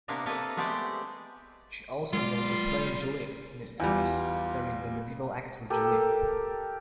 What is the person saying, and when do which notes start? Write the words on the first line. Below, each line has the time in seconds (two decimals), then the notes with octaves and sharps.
She also wrote the "Player Joliffe" mysteries, starring the medieval actor Joliffe.
0.08 C3 A#3 B3 D4
0.26 C3 A#3 A4 B4 D#5
0.57 G#3 A3 B3 G4 C5 D5
2.13 F#3 G#3 F4 D5
3.80 E2 G3 F4
5.70 G4 A4 A#4